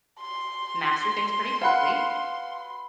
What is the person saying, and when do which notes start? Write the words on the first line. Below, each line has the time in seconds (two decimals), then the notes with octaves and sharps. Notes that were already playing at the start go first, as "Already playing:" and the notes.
master things pretty quickly,
0.21 C6
1.62 B4 F5 F#5 B5 E6 F#6